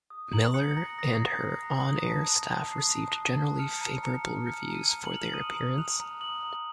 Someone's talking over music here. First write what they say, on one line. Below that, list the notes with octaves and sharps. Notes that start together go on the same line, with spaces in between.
Miller and her on-air staff received generally favorable reviews for their appearance.
D#6
A#5 F#7
F#6 C#7
A#5 A#6
D#6 A#6
C7
A#5 A#6
F#6
A#5
D#6
A5
F#6
A5
D#6 C7
A5
F#6
A5
F6 C#7
A#5
A#5 C#7
F6
F6 C#7
A#5
D#7
A#5
F#7
F6 F7
F#7
D#6 D#7
A#5
F#6 F7
A#5
D#6 F#7
A#5